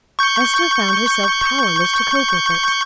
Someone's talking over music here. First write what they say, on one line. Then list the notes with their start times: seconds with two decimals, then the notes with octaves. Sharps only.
Esther found herself powerless to cope with it.
0.19 C#6 G6